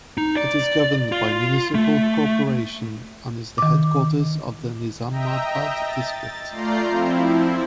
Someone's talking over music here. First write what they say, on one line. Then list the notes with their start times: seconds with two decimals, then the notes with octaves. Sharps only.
It is governed by municipal corporation and is the headquarters of the Nizamabad district.
0.18 D#4
0.37 D5
1.12 F4
1.75 A3
3.58 D#3 D6
5.10 D#5 E5 G5 A#5
5.81 A6
6.51 A3 F4 D5 A#5 G6 C7
6.88 F3 C4 E4